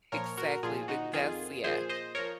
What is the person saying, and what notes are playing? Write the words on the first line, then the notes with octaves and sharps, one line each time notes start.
Exactly, big that's yeah.
A#2 F3 A#4 C#5
F#4 A#4
A#2 F3 F4 G#4
D#4 F#4
F2 D#3 F4 G#4
A#2 F3 G#4 C5
C5 D#5
F3 A#4 C#5